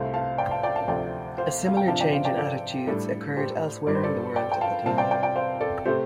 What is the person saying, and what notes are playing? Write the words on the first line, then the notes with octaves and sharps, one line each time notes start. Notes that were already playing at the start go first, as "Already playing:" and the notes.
A similar change in attitudes occurred elsewhere in the world at the time.
Already playing: C2 C3 A3 C4 C5 F5
F5 A5
D5 G5
F5 A5
D5 G5
F5 A5
D2 C3 F3 A3 C4 D5 G5
C5 F5
F5
G5
C3 F3 D4 F5 A5
D5 G5
C5 F5
D5 G5
A4 D5
A2 G3 D4 A4
G4 C5
G2 G3 D4 D5
C5
A4 D5
D5 G5
G5
F5 A5
C3 G3 C4 F5 A5
D5 G5
D5 G5
D5 G5
C5 F5
A4 D5
C3 A3 C4 G4 C5